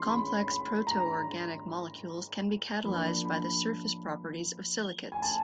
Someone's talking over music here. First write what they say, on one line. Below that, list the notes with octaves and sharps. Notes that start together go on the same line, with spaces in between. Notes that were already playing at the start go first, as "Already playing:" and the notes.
Complex proto-organic molecules can be catalysed by the surface properties of silicates.
Already playing: E3 G#3 C#4 C6
B5
B5
A#5
F3 A#3 D4 B5
B5
G#5
A5